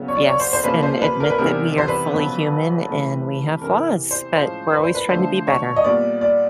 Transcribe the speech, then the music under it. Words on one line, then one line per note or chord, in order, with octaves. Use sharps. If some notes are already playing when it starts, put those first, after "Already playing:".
yes, and admit that we are fully human and we have flaws, but we're always trying to be better.
Already playing: C#3 F#3 B3
C#5
D5
C#5
C5
C5
C3 F3 A#3 C#4 B4
C5
B4
A#4
B4
E2 C3 D#3 G3 B3 A#4
C5
B4
F2 C#3 F#3 B3
C3 E3 A3 C#4
E2 C3 E3 A#4
C5
A2 F3 G#3 C#4 C5
B4
C5
B4
D3 F3 A3 C5
C#5
D#5
A#2 G3 B3 D5
D5